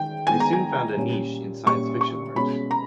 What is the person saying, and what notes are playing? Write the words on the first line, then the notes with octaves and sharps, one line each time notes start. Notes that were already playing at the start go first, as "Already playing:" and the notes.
They soon found a niche in science fiction works.
Already playing: D#3 G#3 G5
D#3 G#3 B3 G#5
A#5
G#5
A#2 G3 C#4
A#2 G3 C#4 C#6
C#6
B2 G#3 C#4 B5
A#5